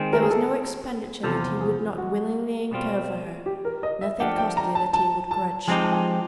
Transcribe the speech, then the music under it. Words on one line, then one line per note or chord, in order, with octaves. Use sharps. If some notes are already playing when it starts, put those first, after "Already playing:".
There was no expenditure that he would not willingly incur for her, nothing costly that he would grudge.
Already playing: D#3 G#3 C4
A#4
G#4
A4
E2 C3 F3 A4
G#4
F#4
B2 G3 C4 F4
G4
A#4
D#5
E5
F3 A3 D4 G4 F#5
G5
A#5
A5
A5
A5
F3 G#3 C4 D#4 G4 G#5
A5
G#5